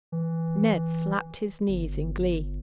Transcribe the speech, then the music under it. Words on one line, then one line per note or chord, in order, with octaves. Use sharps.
Ned slapped his knees in glee.
E3
G1